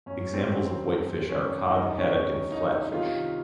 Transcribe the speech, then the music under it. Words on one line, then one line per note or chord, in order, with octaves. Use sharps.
Examples of white fish are cod, haddock and flatfish.
F#2 C#4
C4
D#3 F#3
F#2
D#3 F#3 C#4
C2 D#4
C#4
C3 D#3
C2 D#4
C3 D#3 F4